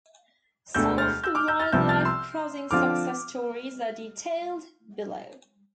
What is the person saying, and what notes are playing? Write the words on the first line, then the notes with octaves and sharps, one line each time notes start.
Some of the wildlife crossing success stories are detailed below.
E1 D2 D3 A3 E6 G6
F6 A6
E6 G6
D6 F6
E6 G6
F6 A6
C2 C3 F3 B3 E6 G6
F6 A6
C6 E6
D3 F3 C4 F4 D6 F6